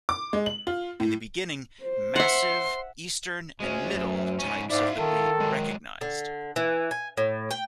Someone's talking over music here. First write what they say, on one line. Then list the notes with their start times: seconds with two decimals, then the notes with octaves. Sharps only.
In the beginning, "Massive," "Eastern," and "Middle" types of the breed were recognized.
0.09 D6
0.33 G#3
0.46 F#7
0.67 F4
1.00 A2
1.83 C5
2.16 E5 F#5 C6
3.60 D2 G#3 C#4
3.93 F#2
4.39 G#2 C#4
4.70 G#2 E4 D5 E5 F5
4.99 D#3 A4
5.40 F#3 G#3
6.01 D3
6.56 E3
6.91 G#5
7.17 A2
7.51 G5